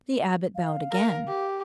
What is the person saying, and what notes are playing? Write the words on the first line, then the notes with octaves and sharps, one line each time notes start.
The Abbot bowed again.
F5
A#4
G4